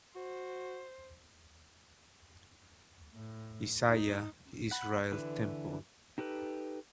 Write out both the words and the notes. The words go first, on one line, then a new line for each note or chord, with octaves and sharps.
Isaiah Israel Temple.
F#4 C5
A2
D#4
F#5 B5
D3 E3 E4 B4
D#4 G4 A4 B4